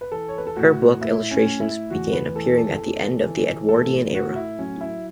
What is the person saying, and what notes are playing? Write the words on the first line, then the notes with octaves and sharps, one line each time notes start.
Her book illustrations began appearing at the end of the Edwardian era.
B4
E3 A4
C#5
B4
A4
A2 F#4
A2 E4
C#4
A2
E4
E2 F#4
B4
E3 A4
A4
E3
E3
A2 A4
A2 F#4
F#4
E4
F#3 C#4
E4